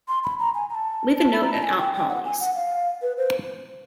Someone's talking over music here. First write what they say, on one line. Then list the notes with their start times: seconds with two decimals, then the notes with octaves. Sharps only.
Leave a note at Aunt Polly's.
0.08 C6
0.24 B5
0.39 A#5
0.55 G#5
0.70 A#5
0.75 A5
1.17 A5
1.33 B5
1.43 A#5
1.53 A5
1.63 G#5
1.78 G5
1.94 G5
2.09 F#5
2.25 G#5
2.40 F#5
2.55 F5
3.02 B4
3.18 C5